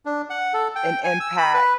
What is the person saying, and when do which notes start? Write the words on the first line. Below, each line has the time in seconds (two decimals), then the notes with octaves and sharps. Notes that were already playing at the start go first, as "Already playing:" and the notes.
an impact
0.05 D4
0.30 F#5
0.54 A4
0.75 G5
1.04 G#5
1.20 E6
1.38 B5
1.54 B4